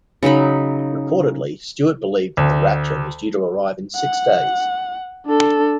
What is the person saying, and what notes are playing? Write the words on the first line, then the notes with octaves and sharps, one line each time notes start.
Reportedly, Stewart believed that the Rapture was due to arrive in six days.
C#3 F#3 D#4 B5
D2
F#5
D4 A4